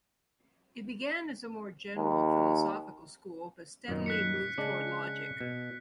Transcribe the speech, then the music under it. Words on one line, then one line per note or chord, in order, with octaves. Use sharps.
It began as a more general philosophical school but steadily moved toward logic.
D#2
F#2 A#2 D#3
F#6 B6 C#7
C#3 G#3 D4
B2